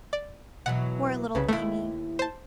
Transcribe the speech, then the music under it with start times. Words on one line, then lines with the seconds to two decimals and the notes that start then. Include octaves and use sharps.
Poor little Amy!
0.13 D5
0.66 B2 E3 F#3 F#5
1.35 C2 C#3 B4
1.48 D#2 A3 E4
2.19 C5 A5